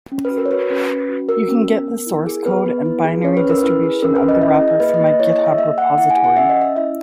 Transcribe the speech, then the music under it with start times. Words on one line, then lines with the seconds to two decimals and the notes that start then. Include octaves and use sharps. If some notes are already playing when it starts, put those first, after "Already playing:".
You can get the source code and binary distribution of the wrapper from my github repository.
0.12 C#4
0.25 B4
0.31 F#4
0.38 A#4
0.46 C#5
0.50 F#4 B4
0.70 C#4 B4
0.80 B4
0.89 C#4
1.09 F#4
1.28 F#4 A#4
1.48 C#4
1.68 B3
1.87 B3
2.07 E4
2.26 G#4
2.46 B3 B4
2.66 B3
2.85 E4
3.04 G#4
3.24 C#4 C#5
3.37 B4
3.43 C#4
3.50 A#4
3.63 E4 B4
3.83 G#4
4.02 C#4 A#4
4.15 B4
4.22 C#4
4.28 D#5
4.41 E4 E5
4.54 D#5
4.61 G#4
4.68 D#5
4.80 A#3 B4
4.94 D#5
5.01 A#3
5.06 D#5
5.20 E4 C#5
5.32 D#5
5.39 G#4
5.46 E5
5.58 A#3 E5
5.78 A#3 F#5
5.98 E4 F#5
6.11 G#5
6.17 G#4
6.24 F#5
6.36 C#4 E5
6.49 D#5
6.57 C#4 E5
6.76 E4 E5